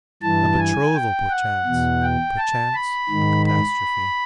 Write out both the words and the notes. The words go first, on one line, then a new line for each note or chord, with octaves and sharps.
A betrothal perchance, perchance a catastrophe.
G2 E3 A5
G#5
G5
F#5
E2 B2
G5
A5
B5
G#2 D#3
B5